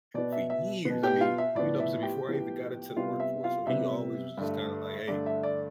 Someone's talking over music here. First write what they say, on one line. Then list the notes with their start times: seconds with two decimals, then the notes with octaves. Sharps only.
for years, I mean, you know, I'm saying before I even got into the workforce, so he always was just kinda like, "Hey,
0.14 B2 B3 D5
0.32 E5
0.50 E5
0.85 B2 B3
1.03 G4 G5
1.21 F4 F5
1.38 E5
1.55 A2 F3 B3 D5
1.80 E5
2.03 G4 G5
2.27 A2 F3 B3
2.96 C3 G3 B3 F4 F5
3.20 E5
3.44 F4 F5
3.67 C3 G3 B3 E5
4.37 G2 D3 A3
5.08 G2 D3 A3 D5
5.26 E5
5.43 D5